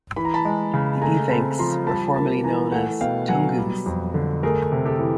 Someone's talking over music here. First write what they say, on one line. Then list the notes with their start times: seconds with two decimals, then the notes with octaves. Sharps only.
The Evenks were formerly known as "tungus".
0.16 E3 B5
0.25 A#5
0.34 A5 B5
0.45 G#3
0.74 C#3
1.02 A3 G#5 A#5
1.30 C4 A5 B5
1.59 F3 A#5 C6
1.87 G3 A5 B5
2.16 A#3 A5 B5
2.44 E3 G#5 A#5
2.72 A3 F#5 G#5
3.01 B2 F5 G5
3.29 F#3 F#5 G#5
3.58 G3
3.86 F2
4.14 D3
4.43 A3 G#4 A#4
4.72 C3
4.85 G4 A4
4.99 E3